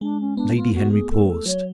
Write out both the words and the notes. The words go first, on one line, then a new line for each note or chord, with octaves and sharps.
Lady Henry paused.
G#3 D4
C#4
B3 D4
B3 F4
A3 F#4
G#4
A4
B4
A4
F#3 C#5